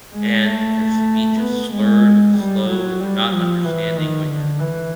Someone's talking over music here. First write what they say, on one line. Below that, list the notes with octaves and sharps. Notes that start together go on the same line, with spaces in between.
and their speech is slurred and slow, and they're not understanding what you're
G#3
A3
B3
G#3
G3
F#3
G3
F3
E3
D#3
D3
E3